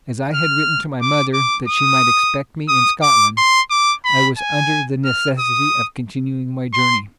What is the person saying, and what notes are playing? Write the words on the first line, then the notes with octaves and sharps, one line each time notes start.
As I had written to my mother that she might expect me in Scotland, I was under the necessity of continuing my journey.
F6
D6
D6
D#6
D#6
D6
C6
D6
B5
G#5
F6
D#6
C6